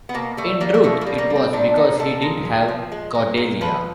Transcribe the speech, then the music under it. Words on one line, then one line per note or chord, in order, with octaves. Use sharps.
In truth - it was because he didn't have Cordelia.
B3
B2 A#3
G3 A3
G3 A#3
A#3
B2 A3
A#3
G3
A#3
G3
C4
A#2 D4
A#2 D#4
A#2 A4
G#3 A#4
A#2
F3
G#3
G#3
A#2
F3 B4